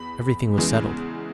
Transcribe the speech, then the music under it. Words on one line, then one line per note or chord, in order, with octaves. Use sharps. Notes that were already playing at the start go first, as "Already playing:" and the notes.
Everything was settled.
Already playing: E2 B5
E2 C#3 E3 G#3